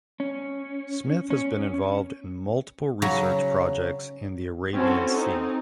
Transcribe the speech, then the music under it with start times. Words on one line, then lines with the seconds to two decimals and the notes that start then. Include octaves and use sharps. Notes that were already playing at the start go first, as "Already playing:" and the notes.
Smith has been involved in multiple research projects in the Arabian Sea.
0.20 C#4
1.30 C#4
3.02 C#3 F#3 A#5
4.74 C4 C#4 E4 F#4 A4 C5
5.18 C4 D#4